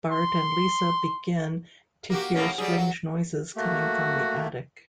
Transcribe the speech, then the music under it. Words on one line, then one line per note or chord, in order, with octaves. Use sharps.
Bart and Lisa begin to hear strange noises coming from the attic.
C6
A#3 F#4 G4
A2 A#3 C#4
F#3 G3 G#4
F#3
A3 A#3 F#4